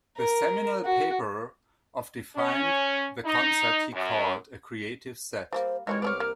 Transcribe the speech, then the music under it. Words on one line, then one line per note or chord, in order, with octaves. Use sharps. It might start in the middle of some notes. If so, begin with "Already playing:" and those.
The seminal paper of defined the concept he called a Creative set.
A#4
F#4
C#4
D#4
F#2
G3 A3 A#3 C5
E3 G3 G#3 C4 D#4 A#4 C#5
C2 B3 G#4 C#5 D6 F6
A#3 A#4